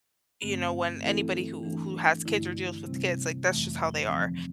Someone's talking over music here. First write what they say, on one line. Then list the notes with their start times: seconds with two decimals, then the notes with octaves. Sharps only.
you know, when anybody who, who has kids or deals with kids, like that's just how they are,
0.42 G2 D3 A3 C4
1.02 E3 A3 C4 E4 A4
1.63 E3 A3 D4
2.25 G2 D3 A3 E4
2.85 C3 G3 C4
3.47 F2 E3 A3
4.08 D3 F3 C4